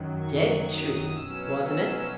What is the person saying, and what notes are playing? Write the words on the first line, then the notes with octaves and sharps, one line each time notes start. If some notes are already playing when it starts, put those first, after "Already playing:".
"Dead tree, wasn't it?"
Already playing: F#2 D#3 F#3
C#6
D#6
B2 F#3 C#4 E6
E6